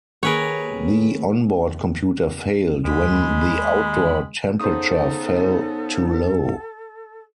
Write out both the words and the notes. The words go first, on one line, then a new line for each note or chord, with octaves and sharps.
The on-board computer failed when the outdoor temperature fell too low.
D#2 G#4 A#4 B4 C#5
D#2 G#3 B5
C#3 B3 D#4 A4 C5 D#6